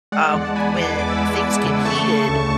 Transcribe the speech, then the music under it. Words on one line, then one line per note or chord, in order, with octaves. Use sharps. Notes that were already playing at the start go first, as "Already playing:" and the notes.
Um, when things get heated,
G#3 D5 F#5
D5 F#5
E2 D5 F#5
F#5 A5
G#3 G#5 B5
E3 B5 D6
E2 D6
E6
G#3 B5 D6
E2
C#3
A3 A5 C#6
C#3
D2